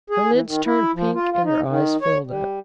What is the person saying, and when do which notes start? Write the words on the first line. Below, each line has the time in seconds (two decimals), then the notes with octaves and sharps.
Her lids turned pink and her eyes filled up.
0.10 G#4
0.32 E3
0.47 D#3
0.65 E4
0.95 F3
1.14 F4
1.31 F4
1.44 D#4
1.68 D#3
2.01 C#5
2.27 G3